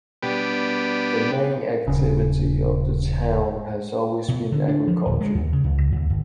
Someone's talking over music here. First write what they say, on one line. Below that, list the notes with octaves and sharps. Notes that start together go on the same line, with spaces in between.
The main activity of the town has always been agriculture.
B2 G3 B3 D4 G4
D#1 C#3
B2
D3
D4
F3
D1
G#3
D#2
C#3
C#2
D#2
G1